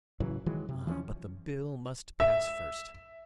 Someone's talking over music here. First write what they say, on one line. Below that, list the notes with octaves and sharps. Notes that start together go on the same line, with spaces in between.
Ah! but the Bill must pass first....
A2 C#3 E3 F#3
D#3 E3 F#3 G#3
C3
E3 F3 G#3 C#4
E5